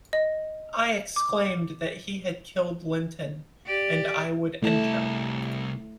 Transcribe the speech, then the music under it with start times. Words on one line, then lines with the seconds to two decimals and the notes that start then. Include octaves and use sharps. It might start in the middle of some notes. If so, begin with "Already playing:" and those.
I exclaimed that he had killed Linton, and I would enter.
0.13 D#5
1.16 D6
3.66 G4 D5
4.62 C2 A3 E4 A5